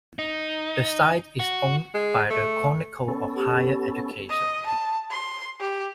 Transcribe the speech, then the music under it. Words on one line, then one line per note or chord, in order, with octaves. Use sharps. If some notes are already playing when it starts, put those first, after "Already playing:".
The site is owned by "The Chronicle of Higher Education".
D#4
F#4
G#3
A3
B3 C#4 A4
G4
D#5
A5
C6
G4